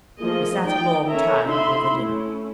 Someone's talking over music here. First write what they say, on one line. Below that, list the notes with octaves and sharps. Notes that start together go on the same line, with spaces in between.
We sat a long time over dinner.
F3 A3 A#3 G#4 D#5
D#4 D5 G5
C#4 A4 A#4 C#5 E5 A#5
D3 D#4 F4 E5 B5 C6
A3 C#4 E4